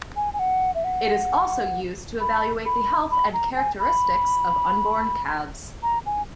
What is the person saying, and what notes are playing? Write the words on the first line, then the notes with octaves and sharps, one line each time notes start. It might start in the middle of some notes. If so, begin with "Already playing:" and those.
It is also used to evaluate the health and characteristics of unborn calves.
G#5
G#5
F#5
E5
F#5
B5
B5
B5
A#5
G#5
B5
A#5
G#5